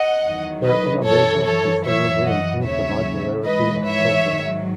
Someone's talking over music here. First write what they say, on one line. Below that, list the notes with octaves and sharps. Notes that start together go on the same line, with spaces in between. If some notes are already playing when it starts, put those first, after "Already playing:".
Their innovations considerably improved the modularity of programs.
Already playing: D#5 F#5
E2 D#3 F#3
B4 D#5
F#2 E3 A4 C#5
A4 C#5
F#2 E3 C#5 E5
D#5 F#5
D#2 C#3 F#3 C#5 E5
G#2 E3 B4 D#5
C#5 E5
G#2 D#3 F#3